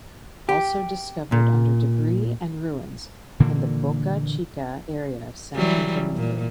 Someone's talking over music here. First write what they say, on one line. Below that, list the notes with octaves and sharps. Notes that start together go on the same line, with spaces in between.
Also discovered under debris and ruins in the Boca Chica area of Santo Domingo.
G4
A#2
A#2 D3 E3 A#3
E3 F#3 G3
A#2